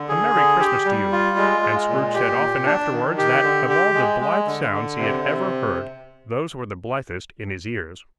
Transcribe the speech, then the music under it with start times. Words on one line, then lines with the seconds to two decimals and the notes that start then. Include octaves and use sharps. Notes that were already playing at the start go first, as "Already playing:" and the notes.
A merry Christmas to you!' And Scrooge said often afterwards that, of all the blithe sounds he had ever heard, those were the blithest in his ears.
Already playing: D3
0.08 G#4
0.34 D3
0.60 G4
0.85 G3
1.12 F4
1.37 G#3
1.62 G#3
1.88 A#2
2.14 G4
2.40 A#2
2.66 D4
2.91 D#3
3.17 G4
3.43 D3
3.69 G4
3.94 G#3
4.21 G#3
4.46 D3
4.72 D3
4.98 C3
5.23 C3